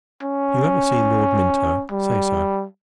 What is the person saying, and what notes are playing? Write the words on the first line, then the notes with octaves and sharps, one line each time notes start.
If you ever see Lord Minto, say so.
C#4
G3